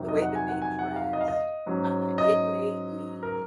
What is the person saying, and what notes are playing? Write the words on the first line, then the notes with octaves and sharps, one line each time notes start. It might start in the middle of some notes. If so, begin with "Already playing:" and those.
the way that they dressed, I it made me
Already playing: F2 C3 D#3 F#3 C4
D#5
F#5
G#5
F#5
G#5
F#5
F5
D#5
F5
D#5
G#2 F#3 C#4
D#5
A#4